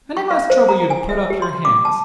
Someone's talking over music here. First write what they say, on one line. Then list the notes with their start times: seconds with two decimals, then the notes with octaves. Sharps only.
And--I must trouble you to put up your hands.
0.17 C#6
0.31 F5
0.50 C5
0.69 A#5
0.90 G#5
1.09 E5
1.30 G4
1.42 C6
1.65 D6
1.85 A5